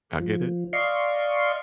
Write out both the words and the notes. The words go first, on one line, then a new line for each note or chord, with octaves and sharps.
I get it.
F3
D5 D#5 F5 C6 C#6